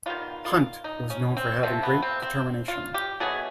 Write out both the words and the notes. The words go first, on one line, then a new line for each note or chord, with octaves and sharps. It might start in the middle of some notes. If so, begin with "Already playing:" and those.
Hunt was known for having great determination.
D#3 G3 B3 F4
F4
D#4
C#4
C4
C3 F3 A3 C4
B3
C4
C4
F4
G4
B2 F#3 A3 G#4